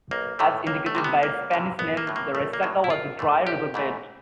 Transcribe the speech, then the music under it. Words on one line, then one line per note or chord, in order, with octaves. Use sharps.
As indicated by its Spanish name, the resaca was a dry river bed.
B1 A#3
A2 E3 A3
C#2 A#3
A3
C3 E3 G3
B3
C#2 A#3
C3 E3 G3
A#1 B3
A#3
A2 F#3
A#3
A#1 A3
A#3
A2 F#3
E4
G#1 F4
G#2 E3 A3
G#1 G4
G#2 E3 A3